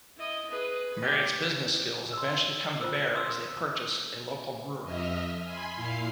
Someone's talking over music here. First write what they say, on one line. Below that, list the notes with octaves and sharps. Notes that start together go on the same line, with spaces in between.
Mariette's business skills eventual come to bear as they purchase a local brewery.
E4 D#5
G#4 B4
G4
C6 E6
F4 C5 E6
C6 D#6 E6
F2 D#5 E5 F6
G#5 B5 C6
A#2 E4 F5 F6 C7